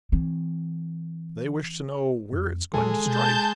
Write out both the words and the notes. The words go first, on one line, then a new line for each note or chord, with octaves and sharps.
They wish to know where it is going to strike.
E3 C4
F2
A#2 G#3 A4 G#5
B2 A5 G6